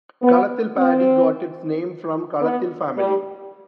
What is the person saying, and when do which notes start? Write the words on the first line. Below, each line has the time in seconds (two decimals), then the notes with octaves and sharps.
Kalathilpady got its name from Kalathil Family.
0.21 B3
0.76 C4
2.41 B3
2.97 G3